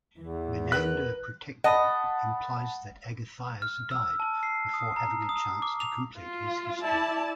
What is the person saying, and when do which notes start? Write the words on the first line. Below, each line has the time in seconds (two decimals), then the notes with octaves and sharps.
Menander Protector implies that Agathias died before having a chance to complete his history.
0.18 E2 E3
0.72 A#4 B4 F#6
1.64 D#5 F#5 A5 B5
3.62 F6
3.91 E6
4.20 A5
4.43 C7
4.74 D#6
4.96 A#5
5.29 D#6
5.62 D6
5.80 F7
6.18 F4
6.82 E4 D5 A5